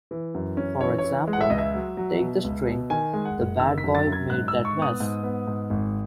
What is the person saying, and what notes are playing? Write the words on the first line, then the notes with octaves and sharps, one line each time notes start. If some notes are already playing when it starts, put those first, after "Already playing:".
For example, take the string "the bad boy made that mess".
E3
F#2
C#4
E3 C#5
C#5
E3
G#3
F#5
E5
C#2 D#5
E5
F#3
F#3
B2
C#2
B2
D#3 G#5
G#3
F#5
F#1
D#3 E6
B6
F#2
A6
F#2
G#6
G#2 F#6
E6
G#2
C#6
B3
D#6
G#2
B3
G#2
G#1